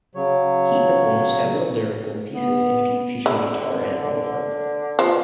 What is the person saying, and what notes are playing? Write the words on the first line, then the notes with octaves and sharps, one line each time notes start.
He performs several lyrical pieces featuring guitar and autoharp.
C#3 F#3 C#5
B3
D3 E4
D3
B2 F3